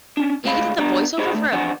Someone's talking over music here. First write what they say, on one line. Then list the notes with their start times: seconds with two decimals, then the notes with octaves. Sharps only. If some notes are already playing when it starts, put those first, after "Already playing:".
He he did the voiceover for a
0.17 C#4 D4
0.44 D2 A2 G#3 F5 B5
0.78 G3 B3 D4 A#5
1.18 D#4 G4 G#4 C5 D#5 B5
1.32 D2 A3
1.52 E3 F3 D4 C5 F#5 G#5